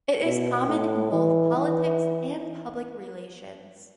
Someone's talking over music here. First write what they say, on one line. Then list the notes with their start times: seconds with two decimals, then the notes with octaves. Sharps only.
It is common in both politics and public relations.
0.24 B2
0.68 A2
1.12 E3
1.57 E3